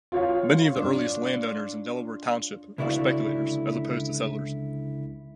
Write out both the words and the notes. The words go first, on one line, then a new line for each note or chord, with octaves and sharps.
Many of the earliest landowners in Delaware Township were speculators as opposed to settlers.
F4 C#5 F5
D4
C#2 D3 E4 F#4 D5 F5